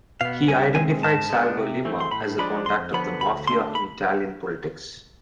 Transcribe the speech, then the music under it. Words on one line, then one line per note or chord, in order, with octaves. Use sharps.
He identified Salvo Lima as the contact of the Mafia in Italian politics.
B2 B3 F5
C2 G#5
C3 E3 G#3 C4 G#5
G#2 A5
G#3 B3 D4
C3
E3 A3 C4
C6
A2 B5
F3 G#3 D4 B5
F2 C6
D3 F3 B3 B5
D2 B5
D3 A3 D4 C6
B5